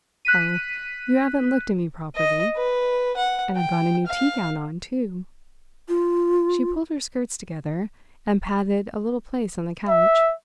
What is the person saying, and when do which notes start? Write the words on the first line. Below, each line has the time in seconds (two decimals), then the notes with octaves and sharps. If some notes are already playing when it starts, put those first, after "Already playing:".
"Oh, you haven't looked at me properly, and I've got a new tea-gown on, too." She pulled her skirts together and patted a little place on the couch.
0.25 F#6 B6 D#7
2.15 D#5
2.56 B4
3.17 F#5
3.56 G5
4.07 F5
5.89 F4
9.89 E5